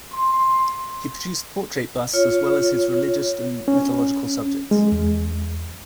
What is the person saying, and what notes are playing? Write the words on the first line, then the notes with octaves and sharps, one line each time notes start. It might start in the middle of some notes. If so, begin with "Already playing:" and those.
He produced portrait busts as well as his religious and mythological subjects.
C6
F4 C#5
C#4
G#3
E2